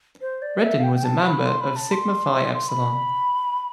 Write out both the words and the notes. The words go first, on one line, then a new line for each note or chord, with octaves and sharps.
Brandon was a member of Sigma Phi Epsilon.
C5
D5
E5
F5
G5
G5
A5
B5
C6
B5
A5
C6
C6
B5